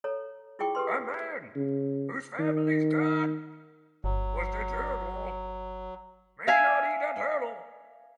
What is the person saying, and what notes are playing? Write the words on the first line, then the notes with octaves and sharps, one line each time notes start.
A man whose family god was the turtle may not eat a turtle.
A4 C#5 A#5
E4 F4 G#4 G5 C#6 D6
G4 A4 B4 C6
C#3
D#3
G1 F#3
E5 F5 G#5